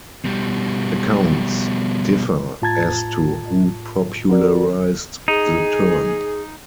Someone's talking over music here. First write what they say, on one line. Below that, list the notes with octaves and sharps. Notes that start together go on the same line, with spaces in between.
Accounts differ as to who popularized the term.
B2 G3
A2 F4 A5 A#5 G#6 A6
F#4 A#4 D5
D#4 G#4